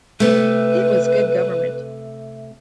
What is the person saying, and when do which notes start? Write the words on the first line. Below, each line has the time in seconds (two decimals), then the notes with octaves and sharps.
It was good government.
0.20 C3 A3 B4